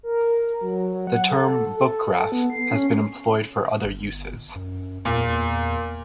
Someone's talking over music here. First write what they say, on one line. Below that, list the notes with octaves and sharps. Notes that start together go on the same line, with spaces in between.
The term "book-graph" has been employed for other uses.
A#4
F#3
F#3
F#5
A4
A4
B3
C7
C#4
G1
F#2
E2 A#2